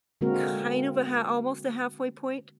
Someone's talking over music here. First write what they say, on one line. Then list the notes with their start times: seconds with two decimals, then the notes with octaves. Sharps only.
kind of a ha almost a halfway point.
0.21 D3 G#3 A#3 C4 F#4 A#4